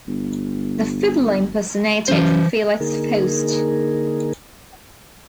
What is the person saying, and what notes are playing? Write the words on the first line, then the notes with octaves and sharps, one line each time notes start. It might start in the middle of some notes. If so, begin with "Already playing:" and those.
The Fiddler impersonated Felix Faust.
G1
F#2 E3 C5
D3 A#3 D#4 G#4 A#4